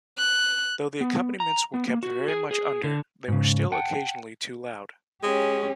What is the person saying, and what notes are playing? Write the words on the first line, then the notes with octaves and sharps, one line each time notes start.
Though the accompaniments were kept very much under, they were still occasionally too loud.
F#6
B3
A#5
B3
A#3
F#4
G#4
G#4
D3
G#2 C#3
F#5 G5 A5
G#3 C#4 G4